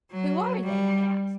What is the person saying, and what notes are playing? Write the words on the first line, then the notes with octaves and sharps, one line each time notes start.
"Who are they?" I asked.
F#3
G3